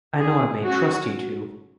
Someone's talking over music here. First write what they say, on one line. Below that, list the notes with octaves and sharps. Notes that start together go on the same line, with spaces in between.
I know I may trust you two.
G#4
F#3 C#4 F#4